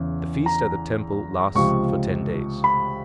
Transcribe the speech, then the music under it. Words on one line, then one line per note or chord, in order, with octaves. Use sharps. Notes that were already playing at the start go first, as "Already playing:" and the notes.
The feast at the temple lasts for ten days.
Already playing: E2 C#3 E3
A#5
C#2 C3 F3 C#6
B5